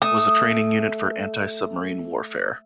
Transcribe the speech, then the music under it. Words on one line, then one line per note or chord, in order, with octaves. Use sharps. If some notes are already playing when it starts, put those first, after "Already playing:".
Was a training unit for antisubmarine warfare.
A3 D#6